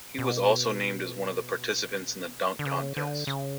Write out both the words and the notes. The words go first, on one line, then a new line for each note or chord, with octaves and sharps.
He was also named as one of the participants in the dunk contest.
B2
D3
C#3
D3
C#3